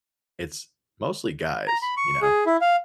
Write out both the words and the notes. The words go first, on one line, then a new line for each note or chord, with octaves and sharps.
it's mostly guys, you know,
A#5
B5
C#6
G#4
E4
F5